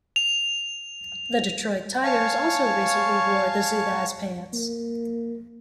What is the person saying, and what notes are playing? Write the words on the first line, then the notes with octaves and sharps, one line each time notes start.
The Detroit Tigers also recently wore the Zubaz pants.
F7
C#5 F5 G#5 A5 C#6
A#3